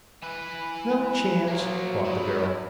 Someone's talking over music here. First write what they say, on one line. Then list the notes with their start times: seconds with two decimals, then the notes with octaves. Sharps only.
"No chance," thought the girl.
0.22 E3 B4
1.48 F3 F#3 A#3
2.05 D#3 E4